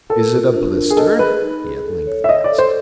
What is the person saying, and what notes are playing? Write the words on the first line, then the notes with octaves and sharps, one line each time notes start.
"Is it a blister?" he at length asked.
A4 A#4
F4
D4
A#4
G#4
A4 D#5
G#4 B4
D#4
G#4
A4
C#5
E5
C#5 D#5
D5
A4
C5